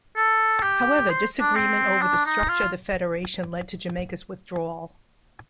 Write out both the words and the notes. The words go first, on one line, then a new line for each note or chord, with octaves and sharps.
However, disagreement over the structure of the federation led to Jamaica's withdrawal.
A4
G4
C5
D4
C4
D4
D#4
F4